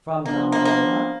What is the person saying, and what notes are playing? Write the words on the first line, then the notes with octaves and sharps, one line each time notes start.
"From Dongola?"
F3 A#3 B3 D4
A#3
A#3